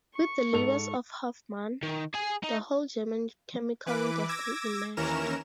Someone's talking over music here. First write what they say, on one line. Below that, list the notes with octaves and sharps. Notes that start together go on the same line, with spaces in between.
With the labours of Hofmann, the whole German chemical industry emerged.
C#6
G#2 A4 F7
D#3
G#4 G#5
D#4
E3 B4 D6
D6 E6 G#6 A#6
D#2 E3 C#4 A#4 A#5 E7